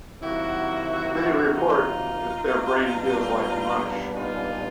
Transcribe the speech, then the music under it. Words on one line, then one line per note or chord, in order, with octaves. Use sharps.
Many report that their brain feels like "mush".
C3 D#3 F#3 A#3 E4 F#4
D#4 F4
A#2 G3 B3 D4
D#4 F4